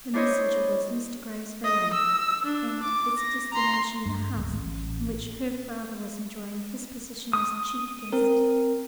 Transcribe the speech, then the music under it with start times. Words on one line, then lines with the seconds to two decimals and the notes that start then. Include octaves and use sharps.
The messenger was Mr. Grey's valet, and its destination the house in which her father was enjoying his position as chief guest.
0.13 D4 E4 C5 C#5 D#5
1.64 D#5
1.94 E6
2.45 D4
2.83 D6
3.18 A#6
3.52 A#5 C6
4.06 G2
4.36 D1
4.52 A1
7.33 D#6
8.13 C4 A#4